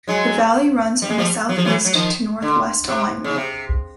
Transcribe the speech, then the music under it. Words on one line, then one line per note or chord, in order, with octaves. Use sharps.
The valley runs in a southeast to northwest alignment.
F#3 G#3
G3
G#3
F3 G3
F#3
F3
E3 F#3
F#3
D#3 F3
D3
C3
C#3
C3